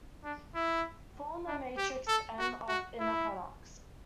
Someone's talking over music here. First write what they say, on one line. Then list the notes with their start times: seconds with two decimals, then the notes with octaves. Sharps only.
Form the matrix "M" of inner products.
0.24 D4
0.54 E4
1.47 D4
1.77 G4
2.08 A4
2.39 F#4
2.69 F#4
3.00 E4